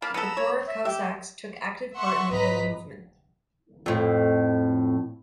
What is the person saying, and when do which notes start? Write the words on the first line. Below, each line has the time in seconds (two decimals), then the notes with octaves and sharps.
The poorer Cossacks took active part in the guerrilla movement.
0.02 A#3 F5 A5 B5
0.14 B3 A4 A#5 B5 E6
0.37 C#5
0.67 E5
0.85 G4 E5
1.96 E5 F#5 C6 C#6
2.31 G#1 B4 D#5 A#5 B6
3.86 F2 A2